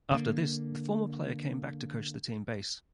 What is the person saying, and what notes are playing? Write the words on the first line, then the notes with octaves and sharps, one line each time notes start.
After this, the former player came back to coach the team base.
D3 A#3